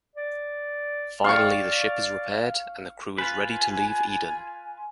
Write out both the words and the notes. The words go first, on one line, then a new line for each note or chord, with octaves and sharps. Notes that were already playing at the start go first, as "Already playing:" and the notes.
Finally the ship is repaired and the crew is ready to leave Eden.
D5
D5 F5 C#6
F4 B4 G#5